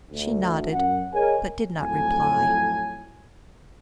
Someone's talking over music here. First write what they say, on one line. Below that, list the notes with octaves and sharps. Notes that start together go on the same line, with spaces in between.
She nodded, but did not reply.
D2
F#2 F#5
G#4 A#4 C#5 D#5 G#5
F2 A2 F#3 G#5